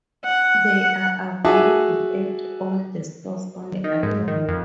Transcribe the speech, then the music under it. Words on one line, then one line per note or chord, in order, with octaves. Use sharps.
They are available at all the stores on the island.
F#5
F#4 G#4 E5 A5 D6 D#6
D#3
G#2
D#3
F2